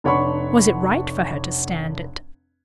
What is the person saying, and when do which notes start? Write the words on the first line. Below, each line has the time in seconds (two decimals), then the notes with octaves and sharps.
Was it right for her to stand it?
0.04 F1 D4 C#5 F#5 B5 C#6